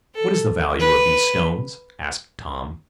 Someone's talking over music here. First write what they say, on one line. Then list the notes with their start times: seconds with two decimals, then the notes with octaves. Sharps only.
"What is the value of these stones?" asked Tom.
0.15 A4
0.80 B4